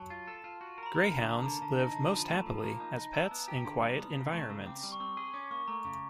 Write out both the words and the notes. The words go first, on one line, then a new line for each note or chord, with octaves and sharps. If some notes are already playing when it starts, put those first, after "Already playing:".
Greyhounds live most happily as pets in quiet environments.
Already playing: F#3 A5
F4
A4
F4
F#4
A#4 A#5
B5
A#4
D3 A#5
A#3 A5
D3 A#5
D3 A5
D#4
A5
D3
F3 B5
A3
F3
A#3 A#5
D#4
D#4
E4 A5
B3
A#5
G4
D3 C6
G3
B3
C#3
A3
C#3
C4 D6
G3
C#6
C4
G#4 C6
C#4 D6
A#3 C#6
A3 A#5
C#3